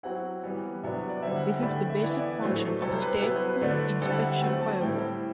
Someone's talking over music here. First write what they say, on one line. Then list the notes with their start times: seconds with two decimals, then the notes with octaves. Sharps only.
This is the basic function of a stateful inspection firewall.
0.03 F#3 C4 E4 F#5
0.43 E3 G3 B3
0.83 C3 F#3 B3 D4 E5
1.09 D5
1.22 D3 G3 C4 E4 E5
1.36 F#5
1.49 G5
1.63 D3 A3 D4 B5
1.75 G5
1.90 E5
2.02 E3 B3 E4 D5
2.11 E5
2.19 D5
2.35 B4
2.42 A2 F#3 A3 D4 C5
2.56 A4
2.82 C3 G3 C4 E4 A4
2.94 C5
3.02 B4
3.22 F#3 B3 E4 B4
3.36 C5
3.49 B4
3.61 D3 A3 D4 B4
4.02 D3 G3 C4 E4 A4
4.12 F#5
4.22 E5
4.32 F#5
4.41 F#3 A3 C4 G5
4.61 A5
4.81 A2 G3 C4 E4 G5